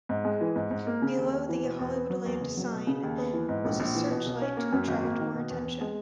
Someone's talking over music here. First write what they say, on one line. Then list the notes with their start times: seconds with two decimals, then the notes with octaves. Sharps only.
Below the Hollywoodland sign was a searchlight to attract more attention.
0.09 G#2
0.25 G#3
0.41 E3
0.56 G#2
0.71 G#2
0.87 A#3
1.02 C#3
1.17 D#2
1.32 D#2
1.49 E3
1.63 B2
1.79 E2
1.95 B3
2.10 F#3
2.26 E2
2.40 F#1
2.57 F#3
2.72 B2
2.87 C#3
3.03 D#2
3.18 B3
3.33 E3
3.49 G#2
3.65 A#1
3.80 A#1
3.95 E3
4.10 B2
4.26 B1
4.42 C#4
4.57 A#3
4.72 F#2
4.88 G#1
5.04 A#3
5.19 D#3
5.34 B2
5.50 E2
5.65 E2
5.81 G#3